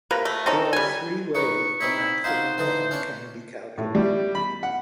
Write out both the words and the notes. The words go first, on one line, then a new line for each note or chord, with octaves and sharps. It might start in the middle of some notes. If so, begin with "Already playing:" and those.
There are three ways the maximum fine can be calculated.
C3 A#3 A#4 B4
A3
C4 C#4 D#4 A4
G3 G#5
D#4 B4 C#6
C4 D#4 E4 C#5
D#4 F4 F#4 C5
D3 E3 D#4
C#4 D4 C#5
A2
G3
B5
F#5